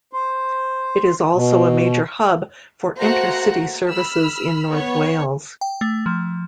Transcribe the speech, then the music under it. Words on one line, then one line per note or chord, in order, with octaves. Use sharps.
It is also a major hub for inter-city services in North Wales.
C5
B2
A3 A#3 F#4 C5 F#5 A#5
B5 E6 F6
B3 C#5
G5
A3
F3